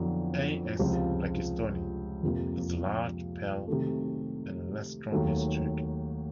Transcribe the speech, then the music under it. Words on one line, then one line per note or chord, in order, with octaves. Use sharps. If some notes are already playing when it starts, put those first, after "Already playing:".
"A. s. blakistoni" is large, pale and less strongly streaked.
Already playing: F2 D3 F#3 B3 E4
C#2 C3 F3
F2 C3 F3 A#3
C3 D#3 F#3 A3
D#2 D#3 F#3 A3